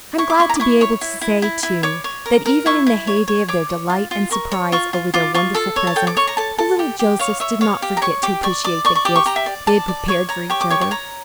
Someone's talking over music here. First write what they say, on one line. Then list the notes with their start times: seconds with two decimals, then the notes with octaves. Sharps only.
I'm glad to be able to say, too, that even in the heyday of their delight and surprise over their wonderful presents, the little Josephs did not forget to appreciate the gifts they had prepared for each other.
0.18 E4 C#6
0.30 D6
0.40 E4 C#6
0.50 A#5
0.55 D6
0.60 E4 C#6
0.81 C#5 C#6
1.01 E4
1.21 E4
1.42 E4
1.63 E4
1.83 C#5 D6
2.04 C#5
2.26 A#4
2.46 A#4
2.66 E4 C#6
2.87 E4
3.07 C#5
3.28 C#5
3.48 C#5 D6
3.69 C#5
3.90 F4
4.11 F4
4.31 A#4 C#6
4.52 C#5
4.72 F4 C#6
4.93 F4
5.14 F4 D6
5.34 F4 C#6
5.54 A4 A5
5.76 C#5
5.87 A5
5.96 A4 G5
6.07 D6
6.17 C#5 C#6
6.27 A#5
6.37 A4 A5
6.58 A4 A5
6.79 G4
6.99 G4
7.19 C#5 F5
7.40 C#5 E5
7.61 C#5 F5
7.82 G4
7.97 A#5
8.02 C#5 C#6
8.23 G4 D6
8.43 D5 C#6
8.64 D5 D6
8.85 D5 C#6
8.95 C#6
9.05 G4 D6
9.16 C#6
9.26 G4 A#5
9.36 E5
9.46 D5
9.67 D5 A5
9.88 D5
10.08 C#5 C#6
10.29 C#5 A#5
10.50 G4 C#6
10.61 D6
10.70 C#5 C#6
10.81 C#6
10.91 C#5 A#5